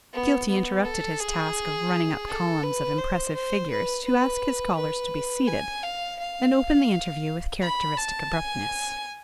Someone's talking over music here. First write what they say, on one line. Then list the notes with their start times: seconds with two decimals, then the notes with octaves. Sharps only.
Skeelty interrupted his task of running up columns of impressive figures to ask his callers to be seated, and opened the interview with characteristic abruptness.
0.13 B3
0.49 B3
0.84 A4
1.20 G#4
2.27 A4
2.63 B4
2.98 C5
3.34 C5
3.70 B4
4.05 B4
4.76 B4
5.47 G#5
5.83 F5
6.19 F5
7.62 B5
7.97 A5
8.33 G#5